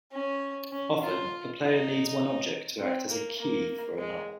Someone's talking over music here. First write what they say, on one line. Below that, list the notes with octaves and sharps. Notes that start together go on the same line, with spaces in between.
Often, the player needs one object to act as a "key" for another.
C#4
C#4
F4
D#4
C4
A#3
A#3
G#3